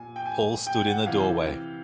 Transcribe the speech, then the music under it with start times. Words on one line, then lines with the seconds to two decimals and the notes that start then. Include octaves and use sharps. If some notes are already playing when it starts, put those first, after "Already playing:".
Paul stood in the doorway.
Already playing: A#2 G#5
0.16 G5
0.26 G#5
0.67 G5
0.86 F#5
1.06 C3 E3 F5